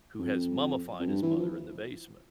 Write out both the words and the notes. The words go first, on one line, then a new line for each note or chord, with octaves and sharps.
who has mummified his mother in the basement,
F2
F2
G2
E3
F3